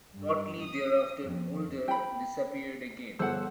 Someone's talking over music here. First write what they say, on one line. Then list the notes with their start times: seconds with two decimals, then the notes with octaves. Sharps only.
Shortly thereafter, Mulder disappeared again.
0.13 G2
0.60 D#6
1.22 F2
1.88 G5 B5
3.19 G1 G#4 C5 F#5 E6